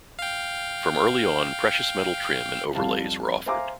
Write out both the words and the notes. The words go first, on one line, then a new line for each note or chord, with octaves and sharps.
From early on, precious metal trim and overlays were offered.
F5 G5
F2 G3 F5 A5
C5 E5 F5 G#5 A#5 D6